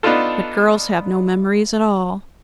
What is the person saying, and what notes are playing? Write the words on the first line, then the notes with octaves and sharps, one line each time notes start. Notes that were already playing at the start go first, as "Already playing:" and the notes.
But girls have no memories at all!
B3 D4 D#4 F4 A4